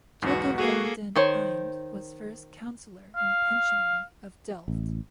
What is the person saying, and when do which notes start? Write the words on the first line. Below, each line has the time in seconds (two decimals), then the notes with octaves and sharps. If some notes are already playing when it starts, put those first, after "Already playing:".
Jacob van den Eynde was first Councilor and Pensionary of Delft.
0.22 B1 E2 G#2 B3 F#4
0.58 A#3 F#4 G#4 A4
1.16 D#3 C5 C#5
3.17 F5
4.68 A1